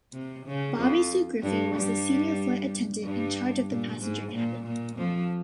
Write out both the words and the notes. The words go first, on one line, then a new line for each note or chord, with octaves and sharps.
Bobbi Sue Griffey was the Senior Flight Attendant in charge of the passenger cabin.
C3
C#3
F2 F3
G2 G3
G2 G3
G2 G3
A#2
G#2
A#2
A#2
F2 F3